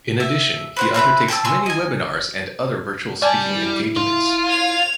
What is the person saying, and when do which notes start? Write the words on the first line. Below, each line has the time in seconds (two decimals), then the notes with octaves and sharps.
In addition he undertakes many webinars and other virtual speaking engagements.
0.20 E5
0.76 B4 C5 F#5
0.94 C4 B4 E5 B5
1.28 G5 A5 B5 E6
1.45 A3 G#5 C6 E6
1.66 D#5 G#5
3.22 G3 D5 G#5 A5
3.55 E4
3.96 G#2 F4
4.48 G#6 F7